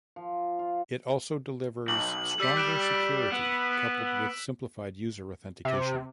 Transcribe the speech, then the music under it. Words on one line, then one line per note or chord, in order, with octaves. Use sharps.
It also delivers stronger security coupled with simplified user authentication.
F3
F4
B1 F#7
G3 E6 B6
F#6 D7 E7
B3
C3